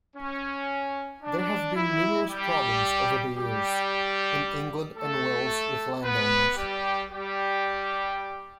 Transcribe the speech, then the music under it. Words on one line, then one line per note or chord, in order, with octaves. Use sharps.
There have been numerous problems over the years in England and Wales with landowners.
C#4
D4
E4
G3 G4
G3 G4
A3 A4
B3 B4
G3 G4
G3 G4